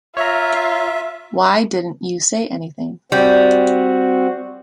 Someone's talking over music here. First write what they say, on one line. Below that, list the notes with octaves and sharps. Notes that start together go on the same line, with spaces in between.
Why didn’t you say anything?
F4 C#5 E5 A#5
G3 C4 F#4